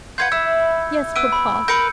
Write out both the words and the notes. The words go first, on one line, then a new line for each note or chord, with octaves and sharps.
"Yes, papa."
F4 B4 F#5 G6 G#6 C#7
E4 E6
B3 E6 D7
B5
A#4 B4 G6 C#7